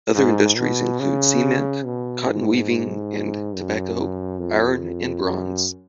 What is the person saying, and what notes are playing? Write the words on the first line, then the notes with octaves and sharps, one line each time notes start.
Other industries include cement, cotton weaving, and tobacco, iron and bronze.
G#2
B2
C#3
B2
G#2
F#2
F2
F#2